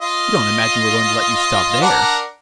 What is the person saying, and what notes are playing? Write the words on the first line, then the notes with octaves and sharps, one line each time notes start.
"You don't imagine we're going to let you stop there?"
F4 D#5
D4 A#4 F#5